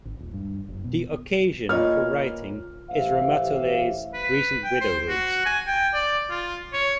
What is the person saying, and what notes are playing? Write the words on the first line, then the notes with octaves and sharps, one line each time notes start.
The occasion for writing is Ramatoulaye's recent widowhood.
G#1
D#1
G2
F#1
B2
A#2 B4 C#5 D#5 F6
A1 G4 C5 E5 F5
B4
G5
C5
F#4
G#5
G5
D5
F4
C#5